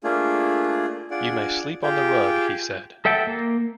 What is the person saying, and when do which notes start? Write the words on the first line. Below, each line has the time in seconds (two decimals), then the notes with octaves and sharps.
"You may sleep on the rug," he said.
0.04 A3 A#3 D4 F4 G#4
1.11 D4 F4 G#4 D5 F#5
1.83 F4 G4 G#4 G5
3.05 A4 E5 F#5 G5 A5
3.27 A#3